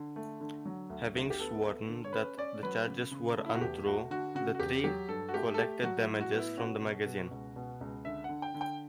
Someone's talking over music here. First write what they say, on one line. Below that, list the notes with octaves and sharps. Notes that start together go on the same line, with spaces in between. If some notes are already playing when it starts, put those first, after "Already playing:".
Having sworn that the charges were untrue, the three collected damages from the magazine.
Already playing: D3
A3
D3
F#3
D2
D2
G4
B3 A4
B3
D3
C#5
C#4 B4
C#4 D5
F#3 B4
C#3
C#3
A3
E4
F#4
E2 G4
A3 F#4
D3 F#4
C#3 F#4
F#4
E2 G4
F#3 G4
G2 A4
F#4
A3 G4
A4
A3 G4
F#3 F#4
E4
A2
F#4
B3
E4
C#4 F#4
B2
B2
C#2
B2
C#2
D3 E5
D3 F#5
G5
D3
G5